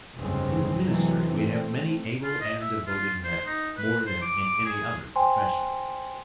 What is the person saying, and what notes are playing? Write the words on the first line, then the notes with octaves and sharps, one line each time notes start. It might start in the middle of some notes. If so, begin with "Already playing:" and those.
In the ministry we have many able and devoted men--more than in any other profession.
F1 B1 G2 C#3 G#3 C4
A2 C3 E3 F#3 G#3
A3 C4
F4
D#5
E5
F4
C5
D#4
B4
C5
D6
D6
G#4
C5 G5 G#5 C6